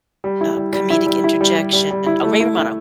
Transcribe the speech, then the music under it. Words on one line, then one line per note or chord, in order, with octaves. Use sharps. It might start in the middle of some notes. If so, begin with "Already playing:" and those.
uh, comedic interjection. Oh, Ray Romano,
G3
E4
G3
G3
E4
G3
E4
G3
G3
G3
G3
E4
A3
E4
E4